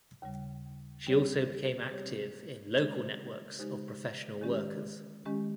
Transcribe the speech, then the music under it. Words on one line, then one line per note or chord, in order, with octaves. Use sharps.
She also became active in local networks of professional workers.
D#2 C#3 G3
C3 G3 C4 G4 C#5
C3 G3 C4 G4 C#5
C#3 G#3 D#4 G4 C5
C#3 G#3 D#4 G4 C5
D#3 G#3 C#4 G4
D#3 G#3 C#4 G4